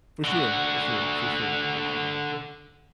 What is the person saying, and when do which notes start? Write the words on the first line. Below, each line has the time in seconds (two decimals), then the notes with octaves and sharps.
For sure, for sure, for sure, for sure.
0.24 D3 F#4